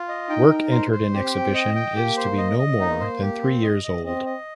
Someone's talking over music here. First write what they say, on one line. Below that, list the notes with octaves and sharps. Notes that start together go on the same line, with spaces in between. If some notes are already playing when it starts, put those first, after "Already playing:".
Work entered in exhibition is to be no more than three years old.
Already playing: F4
D#5
D#4 G5
A#4
C5
C5
C4 G4
G5
D#5
G5
A#3 G4
C5
D#5
D#5
A#3 D#4
C5
G4
C4
D#5
D#5
C4 D#5
D#5